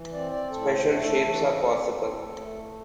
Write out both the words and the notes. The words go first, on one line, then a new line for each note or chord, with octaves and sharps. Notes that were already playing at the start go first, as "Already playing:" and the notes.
Special shapes are possible.
Already playing: E3
C4 D5
D5
A2 A4
C5
A3
A4
E3 A4
C4
A2
A3